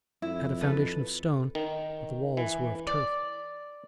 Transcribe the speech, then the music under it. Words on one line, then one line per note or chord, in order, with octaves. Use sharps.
It had a foundation of stone, but the walls were of turf.
F2 E4
A4 B4
D#3
E3
D5